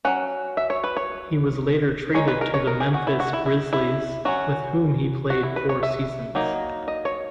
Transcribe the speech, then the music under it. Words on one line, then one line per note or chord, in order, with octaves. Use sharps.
He was later traded to the Memphis Grizzlies, with whom he played four seasons.
F#3 C#4 F#5
E5
C#5
B4
C#5
G#3 D#4 C#5
B4
A#4
C#5
A#4
G#4
F#4
E4
F#4
E4
E4
E4
F#3 C#4 F#4
F#4
E4
B4
C#5
E5
F#3 A#3 D#4
D#5
C#5